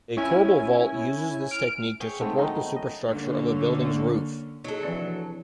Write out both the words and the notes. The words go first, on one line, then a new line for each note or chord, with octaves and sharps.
A corbel vault uses this technique to support the superstructure of a building's roof.
C#4 E4 G#5
F6 D7
G#4 C#5 E5 G5
G#2 A3 B3 C4
D#3 F#3 C#4 D#4
D#5
D3 A#3 C#4
A#2 F#3 D#4 G#4 A4
C3 E3 F3 D4 D5